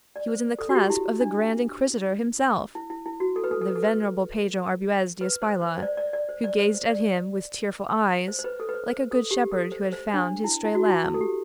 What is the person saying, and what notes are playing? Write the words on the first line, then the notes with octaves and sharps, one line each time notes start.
He was in the clasp of the Grand Inquisitor himself, the venerable Pedro Arbuez d'Espila, who gazed at him with tearful eyes, like a good shepherd who had found his stray lamb.
D5
C5
A4
F#4
G4
E4
D4
E4
E4
E4
F#4
A4
B4
A4
A4
B4
A4
B4
B4
C5
C5
C5
D5
D5
D5
C5
D5
C5
C5
D5
C5
C5
B4
A4
B4
C5
C5
A4
G4
A4
C5
C5
D4
E4
E4
F#4
F#4
E4
E4
A4
G4